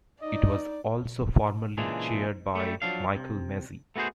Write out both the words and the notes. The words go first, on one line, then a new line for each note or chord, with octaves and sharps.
It was also formerly chaired by Mychal Massie.
D#4 D5 D#5
A#2 C#3 E3 G#3 D4
G3 A3
F3 F#3 D4 F5
C3
A3 B3 F#4 G#4 C5